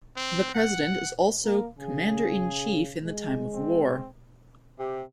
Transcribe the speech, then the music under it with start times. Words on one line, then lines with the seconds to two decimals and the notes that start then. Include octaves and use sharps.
The president is also commander-in-chief in the time of war.
0.17 C4
0.55 F#5
1.45 A#3 A#4
1.79 C#3 G#4
3.03 G#3
3.53 C4
4.79 C3 G4